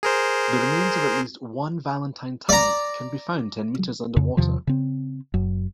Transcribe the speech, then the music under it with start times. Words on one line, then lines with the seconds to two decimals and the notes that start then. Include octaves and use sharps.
The remains of at least one Valentine tank can be found ten metres underwater.
0.03 G#4 A#4 C5
2.49 D5 A#5
4.16 F2 C#3
4.37 E2 C3 D#3 F3
4.67 C#3 C4
5.34 F#1 F#2